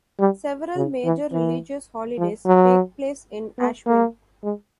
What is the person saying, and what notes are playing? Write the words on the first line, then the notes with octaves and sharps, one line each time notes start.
Several major religious holidays take place in Ashvin.
G3
C#3
E3
E3
F3
F#3
B3
A#3
G#3